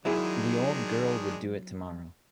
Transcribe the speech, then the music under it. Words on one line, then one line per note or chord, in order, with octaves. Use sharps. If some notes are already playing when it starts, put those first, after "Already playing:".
The old girl would do it tomorrow.
D#3 F#3 G#3 D4 E4 G#4